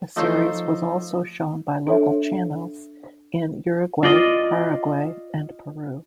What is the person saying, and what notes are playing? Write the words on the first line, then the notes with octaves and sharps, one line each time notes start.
The series was also shown by local channels in Uruguay, Paraguay, and Peru.
F3 A3 D#4 A4 C5 C#5
D4 A4 C#5 E5
F4 D5 D#5